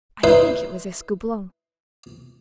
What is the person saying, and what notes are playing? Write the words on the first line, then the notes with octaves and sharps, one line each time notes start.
I think it was Escoublon.
D#4 E4 B4 C5